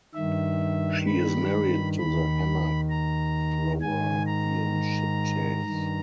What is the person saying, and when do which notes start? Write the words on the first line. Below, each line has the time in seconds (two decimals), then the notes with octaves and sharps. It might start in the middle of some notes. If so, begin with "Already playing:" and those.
She is married to the hammer thrower Ian Chipchase.
0.14 G2 D#3 E5
1.06 B5
1.98 D#2 D#3 B5
2.90 A#5
3.81 G#2 D#3 G#5
4.27 A#5
5.65 G2 D#3